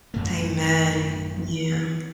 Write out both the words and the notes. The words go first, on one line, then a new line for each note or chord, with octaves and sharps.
Amen, yeah.
A1 F#2 A3